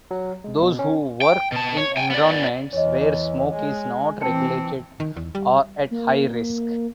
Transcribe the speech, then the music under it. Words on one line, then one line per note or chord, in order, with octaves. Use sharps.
Those who work in environments where smoke is not regulated are at higher risk.
F#3
G#3
B2
C#4
G5
B2 A5
C#5
G5 G#5
B3 D5
E2 C#5 D#5
G#3
E3 C4 A5 C#7
D#3
E2
G3
A#3